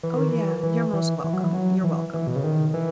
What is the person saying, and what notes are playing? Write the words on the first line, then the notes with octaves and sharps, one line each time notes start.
Oh, yeah, you're most welcome, you're welcome.
E3
D#3
E3
E3
E3
E3
F#3
E3
F#3
E3
E3
B2
C#3
D#3
E3